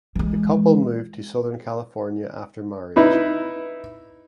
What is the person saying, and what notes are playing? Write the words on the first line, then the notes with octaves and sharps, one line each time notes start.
The couple moved to Southern California after marriage.
E3 G#3
D#4 E4 B4